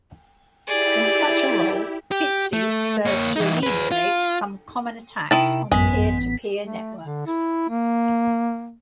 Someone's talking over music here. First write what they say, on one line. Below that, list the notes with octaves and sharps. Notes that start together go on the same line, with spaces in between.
In such a role, Bitzi serves to ameliorate some common attacks on peer-to-peer networks.
E4 G4 G#4 D5
G4
A3
A#3 C#5
E3 D#4
G#4 B4
F4
C3 D#3 E4 A5
A1 F#2 G#3 B3 B6
A3
D3
E4
A#3